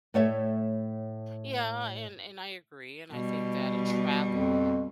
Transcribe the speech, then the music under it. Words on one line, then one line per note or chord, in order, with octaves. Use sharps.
Yeah, and and I agree, and I think that a travel
A2 A3 C#5 E5
B2 G3
F2